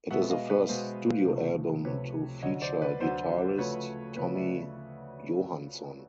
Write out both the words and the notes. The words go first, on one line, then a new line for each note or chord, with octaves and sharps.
It is the first studio album to feature guitarist Tommy Johansson.
B2 G#3 B3 E5 F#5
D#5 F5
B4
B2 G#3 B3 C5
C#2 C3 F3 A3
C#2 C3 F3 A3 B4 C#5
D2 D3 F#3 C#5 D#5
C5 D5
B4
D2 D3 F#3 C5
D2 C#3 F3 A3 B4 C#5
D2 C#3 F3 A3 B4 C#5
D5 E5